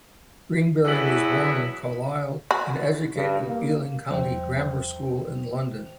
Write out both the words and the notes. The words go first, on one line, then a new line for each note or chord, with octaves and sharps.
Greenbury was born in Carlisle and educated at Ealing County Grammar School in London.
E2 B2 F#3 B3 E4
F#4
G2
A#3
E2 F3 G3 C5 E5 G5